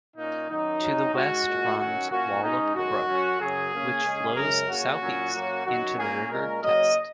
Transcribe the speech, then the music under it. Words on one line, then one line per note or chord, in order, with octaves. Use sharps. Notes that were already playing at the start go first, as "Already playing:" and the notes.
To the west runs Wallop Brook which flows south east into the River Test.
A#2 A#3 C#4 D#4
F#2 D#3 F#3 D#4
F#2 F#3 C#4
G#2 G#3 C#4 F#4
A#2 G#3 C#4
F#2 D#3 F#3 C#4 F#4
A#2 A#3 C#4 F#4
G#2 G#3 C#4 D#4
F#2 D#3 G#3 F#4
F#2 F#3 C#4
F#2 C#3 F#3 G#4
C#3 A#3 C#4
C#3 G#3 C#4
F#2 C#3 G#3 C#4 A#4
C#3 A#3 C#4 F#4
A#2 F#3 C#4
F#2 F#3 A#3 C#4
F#2 D#3 F#3 F#4
A#2 A#3 C#4 G#4
A#2 G#3 C#4 A#4
C#3 F#3 A#3 D#5